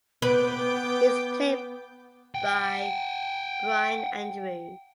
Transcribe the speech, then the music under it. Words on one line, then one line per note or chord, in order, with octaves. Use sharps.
He is played by Brian Andrews.
B3 B4 G5 D6 G6
F#5 G5